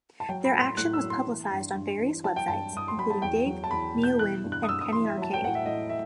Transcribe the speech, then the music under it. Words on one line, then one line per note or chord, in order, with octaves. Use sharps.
Their action was publicized on various websites, including Digg, Neowin, and Penny Arcade.
A5
F#3 G5
B5
A2
C6
A2 F#6
E6
F#3
C6
E3
G2
G2
E3
F#3 A5
G5
G2 A5
G2 D#6
C6
F#3 B5
A5
E2 G5
F#3
A5
E2 B5
B2
G6
E3 F#6
G2
F#6
D#6
G2 E6
D#6
E3 C6
E5
F#3 A5
G5
A2 F#5
E5
A2 D#5
E5